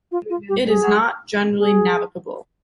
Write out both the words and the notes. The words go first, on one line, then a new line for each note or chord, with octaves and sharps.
It is not generally navigable.
F4
F4
G4
G#4
G#4